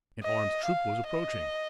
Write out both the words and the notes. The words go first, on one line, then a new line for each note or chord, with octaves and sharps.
An armed troop was approaching.
D#5
F5
D#5